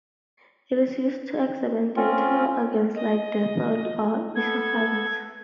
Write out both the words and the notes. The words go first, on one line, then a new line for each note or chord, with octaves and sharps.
It is used to examine the internal organs like the throat or esophagus.
C4 C#4 F4
D#5
B3 A4 G#6